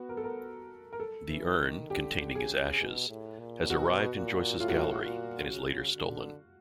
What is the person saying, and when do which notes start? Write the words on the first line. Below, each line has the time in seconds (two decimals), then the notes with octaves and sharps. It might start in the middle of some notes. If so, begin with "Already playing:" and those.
The urn, containing his ashes, has arrived in Joyce's gallery, and is later stolen.
Already playing: B3 F#4
0.09 A#4
0.17 A4
0.24 A#4
0.93 A#4
1.00 A4
1.29 E3
1.60 D#3
1.90 D3 G4
2.35 C#3 G#4
2.79 B2
3.09 A2
3.39 A#2
3.70 B2 F#4
4.16 A#2
4.60 A2 F4
4.68 F#4
4.76 F4
5.05 A#2
5.50 C#3
5.96 D3